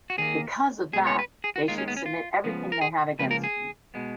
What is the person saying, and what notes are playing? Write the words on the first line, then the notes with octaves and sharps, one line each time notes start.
Because of that, they should submit everything they have against me.
F#4
D#2 D#3 A#3 G#4
B2 G#3 B3 G#4
C#5
B4
G#4
F#4
D#2 D#3 G#3 F4
C#4
B3
C#4
F4
C#2 C#3 F3 B3
A#4
G#4
C#2 C#3 F3 A#3 B4
A#4
G#4
B2 G#3 B3